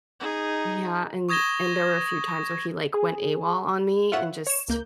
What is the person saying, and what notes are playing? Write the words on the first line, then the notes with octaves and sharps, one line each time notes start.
Yeah, and and there were a few times where he, like, went AWOL on me and just
D#4 G#4
C#6 D#6 G#6 A#6 E7 G7
G#4
F4 C#5 E5 F#5
C#5 E7
C#2 A#3 G6